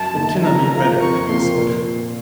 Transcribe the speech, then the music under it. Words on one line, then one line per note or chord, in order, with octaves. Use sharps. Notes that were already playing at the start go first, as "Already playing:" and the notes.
There cannot be a better, he said.
Already playing: F#2 A5
D#3 A#3 D#4
C#3 A#5
F3 A#3 F4
F2 C#6
C3 F3 A#3 C6
A#2